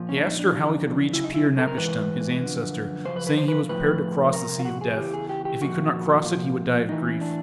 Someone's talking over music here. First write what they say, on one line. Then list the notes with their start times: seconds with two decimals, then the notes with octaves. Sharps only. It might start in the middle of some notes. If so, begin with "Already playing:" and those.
He asked her how he could reach Pir-napishtim, his ancestor, saying he was prepared to cross the Sea of Death: if he could not cross it he would die of grief.
Already playing: A#2 F3
0.09 C#4
0.17 D4
0.28 D#4
0.39 D4
0.50 F2 C#3 E3
1.13 F#2 C#3 E4
1.24 D#4
1.34 E4
1.59 A4
1.67 A#4
1.77 G#2 E3 B4
2.41 F#2 D3 F3
3.05 F#2 C#3 F3 C5
3.16 B4
3.27 B4
3.38 C5
3.48 B4
3.69 A2 F3 B4
4.33 F2 C3 A#4
4.59 F4
4.65 F#4
4.81 G#4
4.97 E2 C#3 E3 G4
5.14 G#4
5.29 G4
5.45 G4
5.61 A#2 F3 F#4
6.25 A#2 F3
6.89 A2 E3 D#4
7.05 C#4
7.21 D4